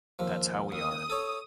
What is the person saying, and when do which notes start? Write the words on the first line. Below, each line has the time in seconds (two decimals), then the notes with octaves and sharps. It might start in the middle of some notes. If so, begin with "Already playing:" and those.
That's how we are.
0.19 D#2 F3
0.72 D#2 D#6
1.10 A4 C#5